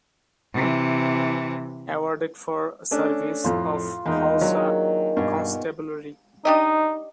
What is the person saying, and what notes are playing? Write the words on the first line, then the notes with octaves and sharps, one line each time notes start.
Awarded for service of Hausa Constabulary.
C3 E3
A3 C#4 D4
F2 A2 F4
E2 G#3 A#3 D#4 G5
D#3 F#3 D4
G2 B2 G#5 C#6
D4 D#4 G4 D#5